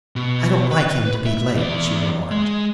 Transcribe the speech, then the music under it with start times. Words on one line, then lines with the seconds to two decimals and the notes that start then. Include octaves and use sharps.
"I don't like him to be late," she remarked.
0.16 B2
0.71 B4
1.26 E5
1.57 E2 D5
2.31 G#3